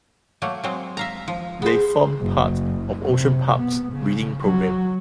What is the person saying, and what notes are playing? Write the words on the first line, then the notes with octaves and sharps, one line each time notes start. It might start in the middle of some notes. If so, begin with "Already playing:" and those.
They formed part of Ocean Park's breeding programme.
F#3 A3 A#3
F#3 G#3 C4
E5 F5 A#5
F3
B3 G#4 C5
F#1
C3
B3
C#3
F#3